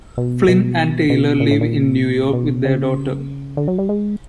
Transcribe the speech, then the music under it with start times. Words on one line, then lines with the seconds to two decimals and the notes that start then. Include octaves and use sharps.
Flynn and Taylor live in New York with their daughter.
0.18 B2
0.48 B2
1.10 B2
1.40 A#2
1.51 A2
1.61 A#2
2.33 B2
2.65 C#3
3.57 D3
3.68 F#3
3.78 G3
3.89 G#3